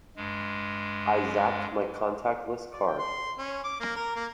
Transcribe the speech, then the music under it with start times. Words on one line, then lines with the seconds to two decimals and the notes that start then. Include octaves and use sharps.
I zapped my contactless card.
0.17 G2 G#3
2.72 D5
2.87 G5
2.98 C6
3.38 C#4
3.64 D6
3.80 A#3
3.96 A#4
4.16 A#3